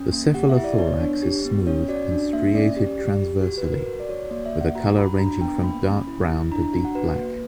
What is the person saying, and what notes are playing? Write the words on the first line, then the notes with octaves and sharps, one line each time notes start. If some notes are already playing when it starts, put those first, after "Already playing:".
The cephalothorax is smooth and striated transversally, with a color ranging from dark brown to deep black.
Already playing: C#4
A#3
G4 F#5
E5
E4
D5
B3 C#5
D4
G4
B3
C#4 C#5
F#4 D5
D4
A#3 E5
C#4 D5
G4
G4
G4
F#4
B4
F#4
A#4
F#4
D5
F#4 C#5
A#3 D5
E5
A#3
F#5
F#4 A#5
F#4 B5
D4 A#5
B3 G5
A#3 B5
C#4
E4
E4
D4 A#5
A#5
F#4
F#5
F#4 B4
A#3